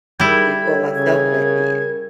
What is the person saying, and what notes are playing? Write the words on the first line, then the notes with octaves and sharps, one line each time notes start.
let me pull myself back in."
G3 D#4 E4 G#4 A#4 G#6
A4 C#5
C#3 G#6
A#4